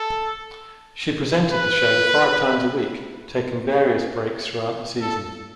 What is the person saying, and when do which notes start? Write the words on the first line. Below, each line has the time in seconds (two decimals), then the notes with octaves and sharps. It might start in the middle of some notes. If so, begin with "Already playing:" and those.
She presented the show five times a week taking various breaks throughout the season.
Already playing: A4
1.52 B4
5.01 A4